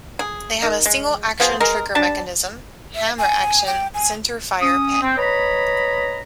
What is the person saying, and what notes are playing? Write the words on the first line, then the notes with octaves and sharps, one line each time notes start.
They have a single action trigger mechanism, hammer action, center fire pin.
G#4
D#3
G#3
F3 B3 G#4 C5
G#3 A#4
G3 D4 A5
E5
G#5
G5
G#5
C#4 D#6
C4
B4 C#5 D#5 A#5 B5